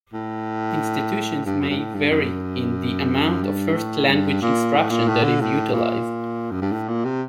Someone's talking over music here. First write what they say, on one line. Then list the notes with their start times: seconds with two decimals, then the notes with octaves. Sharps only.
Institutions may vary in the amount of first-language instruction that is utilized.
0.14 A2
1.45 G2
1.61 F#2
1.70 G2
1.78 A2
1.94 G2
2.11 F#2
3.43 G2
3.75 A2
4.09 G2
4.42 A#2
4.75 A2
4.90 A#2
5.08 A2
5.23 D3
5.41 A2
5.73 A#2
6.51 F#2
6.62 G2
6.71 A2
6.88 A#2
7.05 C3